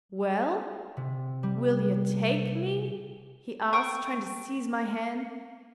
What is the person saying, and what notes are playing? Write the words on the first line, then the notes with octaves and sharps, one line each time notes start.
'Well, will you take me?' he asked, trying to seize my hand.
C3
G3
C5 G5 C#6 D#6